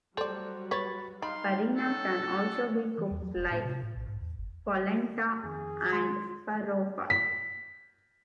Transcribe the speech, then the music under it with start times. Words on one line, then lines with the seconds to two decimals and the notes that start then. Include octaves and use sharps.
Farina can also be cooked like polenta and farofa.
0.17 F#3 G3 F#4 A4 C5 D5
0.71 B4 C#5 B5 A6
1.22 D#4 F5 B5 C6
1.76 C#4 A4 C#5 F#5
2.98 E3
3.11 E2
3.23 F#3
3.36 F1
3.51 A2
3.64 C3
3.83 A2
3.96 A#1
4.07 G#2
4.21 E2
4.38 G1
5.43 F2 D#3 G#4
5.93 G#3 C6
7.10 B6